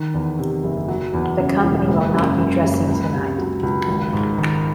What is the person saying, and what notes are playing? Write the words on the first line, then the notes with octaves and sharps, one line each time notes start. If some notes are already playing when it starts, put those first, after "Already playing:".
The company will not be dressing tonight.
Already playing: D#3
E2
C3
F#1
F#3
E2
C#3
E1
F#1
F#2
C#3
F#1
C#2
C3
F#3
C#2
G#1
G#2
D#3